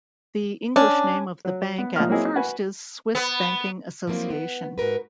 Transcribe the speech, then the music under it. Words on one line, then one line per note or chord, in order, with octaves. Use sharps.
The English name of the bank at first is Swiss Banking Association.
C#4 D4
F#3
B3
A#2 F3 D#5 F6
F#3 A#3 C4 E4 G#4 D#5
F#4 B4 G#5
B3
F3 F#3 A#3 C4 E4
B3
G#2 F#4 A#4 B4